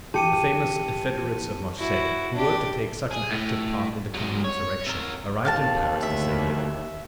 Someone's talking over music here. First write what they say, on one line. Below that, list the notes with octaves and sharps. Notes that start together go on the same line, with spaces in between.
The famous federates of Marseilles, who were to take such an active part in the coming insurrection, arrived in Paris the same day.
E3 G4 A5 C#7 D#7
E4 F#4
D4 G4
G#4
A2
F#3 G#3
C#5
C3 A#4
D#2 F5 G5 A5
D2 E5